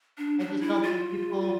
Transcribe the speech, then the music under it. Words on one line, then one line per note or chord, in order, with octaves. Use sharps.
I just don't think people
D4
D4
E4
F4